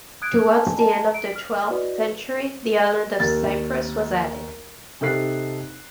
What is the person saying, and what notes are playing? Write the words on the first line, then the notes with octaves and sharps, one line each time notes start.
Towards the end of the twelfth century the island of Cyprus was added.
D#6 F#6 G#6 D7
A4 D#5 G#5 A5
D#5 A5 A#5
D7
F6
E4 F#4 B4 D5 D#5
D#2 A6
C3 D#4 A4 F#6 C7